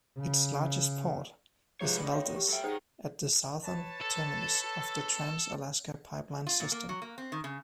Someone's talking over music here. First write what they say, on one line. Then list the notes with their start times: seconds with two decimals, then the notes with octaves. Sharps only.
Its largest port is Valdez, at the southern terminus of the Trans-Alaska Pipeline System.
0.18 C#3
1.81 G#2 C3 F3 B4 C#5
1.97 D#3 B3 D5
2.12 F#4 C#5 F5
2.36 G4
2.49 F#3 A4 E5 G5
2.64 D#3 D#4 G#4 C5 F#5 G5
3.64 B4 C#5 A5
4.01 A4
6.47 F4
6.60 A#2
6.72 A#3
6.89 F#3
7.02 A#3
7.18 C4
7.32 D#3
7.44 C#3